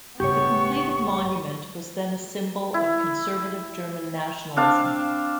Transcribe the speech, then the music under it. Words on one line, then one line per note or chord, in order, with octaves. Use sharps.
The completed monument was then a symbol of conservative German nationalism.
A1 G2 C#3 B3 G4 C#5 C#6
E4
C4 D4 F5 A5